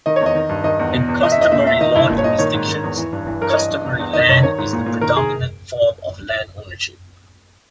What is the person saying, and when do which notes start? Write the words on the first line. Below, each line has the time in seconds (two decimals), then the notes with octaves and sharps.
In customary law jurisdictions, customary land is the predominant form of land ownership.
0.06 D#3 D#5
0.16 E2 C#5
0.26 D#5
0.35 D#3
0.49 G2
0.64 D#3 D#5
0.79 E2
0.94 B2
1.08 E2
1.22 E2 D#5
1.32 E5
1.38 E2 D#5
1.52 A#2 E5
1.66 A#2 E5
1.81 D#3 D#5
1.95 G2 E4
2.10 A#2
2.18 C#5
2.24 A#2 D#5
2.39 D#3 C#5
2.54 G#2
2.68 D#3
2.83 E2
2.97 E3
3.13 G2
3.26 E3
3.41 G2 A#4
3.50 C#5
3.55 E3 D#5
3.70 G2
3.84 E2
3.99 E2
4.13 D#3 D#5
4.29 G2 C#5
4.43 D#3 C#5
4.58 G#2
4.73 A#2
4.86 A#2
5.01 D#3 A#4
5.17 G#4